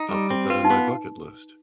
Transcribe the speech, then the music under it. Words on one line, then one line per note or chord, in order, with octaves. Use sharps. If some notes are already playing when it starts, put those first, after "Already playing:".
I'll put that on my bucket list.
Already playing: D#4
G3
C4
F4 B4
D#4
B3